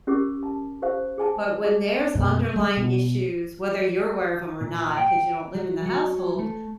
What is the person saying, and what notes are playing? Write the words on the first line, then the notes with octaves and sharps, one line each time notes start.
but when there's underlying issues, whether you're aware of 'em or not, 'cause you don't live in the household,
C#4 G4 A#4 D6
A5
G4 A4 C5 F5
G#4 G#5 A5
G#4 D#5
F#2 B2 G#3
G3 G#3
B2
A#2
G5
F#3
F#3
A3